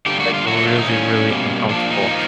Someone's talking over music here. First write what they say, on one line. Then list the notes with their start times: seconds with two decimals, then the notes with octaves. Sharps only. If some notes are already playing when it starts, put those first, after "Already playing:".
like, really, really uncomfortable,
0.06 D3 G3 A#3 G4
0.20 F#4
0.34 F4
0.47 D3 F#3 A3 F#4
0.57 F#4
0.68 F4
0.79 D#4
0.88 D#3 G3 A#3 C#4
1.30 B2 G3 A#3
1.70 A#2 F3 A#3 D4
1.90 D#4
2.11 F3 A#3